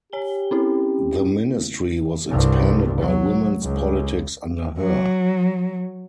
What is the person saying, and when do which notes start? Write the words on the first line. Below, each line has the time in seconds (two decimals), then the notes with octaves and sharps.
The ministry was expanded by women's politics under her.
0.13 G4 C#5 G#5 G7
0.51 C4 C#4 E4
2.30 C2 G2
3.00 F#3
3.62 C#2
4.79 F#3